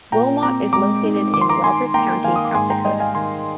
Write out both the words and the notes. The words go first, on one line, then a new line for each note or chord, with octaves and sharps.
Wilmot is located in Roberts County, South Dakota.
A#2 G5 A#5
C4 A#5 D6
G#3 A#5 D6
D#4
D#3 D6
C6
A#5 D6
D#4 G#5 C6
A#3 G5 A#5
D#3 F5 G#5
D#6
D6
G#2 G#5 C6
G5 A#5
G3 D#5 G5
F5 G#5
D#3 G#5 C6